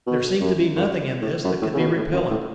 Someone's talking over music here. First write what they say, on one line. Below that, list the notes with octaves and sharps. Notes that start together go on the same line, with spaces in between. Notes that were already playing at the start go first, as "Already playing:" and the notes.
There seemed to be nothing in this that could be repellent.
B2
F#2
F#2
A2
F#2
A2
C#3
B2
A2
F#2
A2